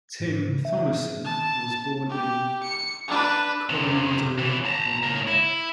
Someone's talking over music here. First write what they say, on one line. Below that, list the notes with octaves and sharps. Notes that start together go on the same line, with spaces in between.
Tim Thomerson was born in Coronado, California.
G#2
C#3
E5
G#4
A5
G4
C#7
D4 B4
F2 C3
C#2 E3
A5 A#5
C#3 A#4
E4